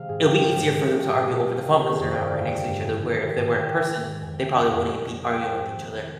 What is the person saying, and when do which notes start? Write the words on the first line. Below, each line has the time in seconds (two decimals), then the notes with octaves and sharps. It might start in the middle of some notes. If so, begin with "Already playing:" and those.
it'll be easier for them to argue over the phone 'cause they're not right next to each other, where if they were in person they probably wouldn't be arguing with each other
Already playing: C3 D#3 G#3 F5
0.08 G#2 G#4
0.21 G4
0.26 F3
0.32 G4
0.43 G#3 F4
0.55 G4
0.60 G#2
0.66 G#4
0.78 G#3 G#4
0.94 G#3 G4
1.12 B2
1.30 B2
1.46 G3 F4
1.64 C3
1.81 D#3 G4
1.92 G#4
1.99 F2
2.04 C5
2.15 G2 D5
2.27 D3 F5
2.38 G5
2.50 G#3
2.67 G2
2.84 G#2 G#5
3.01 D#3
3.18 G3
3.36 G#2
3.47 G#5
3.52 G#2 G5
3.71 D#3
3.87 G#3
4.05 G#2
4.21 F2 G#5
4.33 C3 G5
4.44 G5
4.56 G3
4.73 F2
4.90 C3 G#5
5.08 F3 G#5
5.24 G#3 G5
5.42 C3
5.59 G#2 G#5
5.76 D#3
5.94 G#3